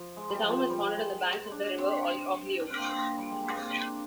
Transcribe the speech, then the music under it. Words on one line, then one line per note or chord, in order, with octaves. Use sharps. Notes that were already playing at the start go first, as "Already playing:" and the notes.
The town was founded on the banks of the river Oglio.
Already playing: F3
G#3
G3
F3
G3
G#3
D4
C4
D4
C4
A#3
C4
G3
G#3
A#3
C4
D4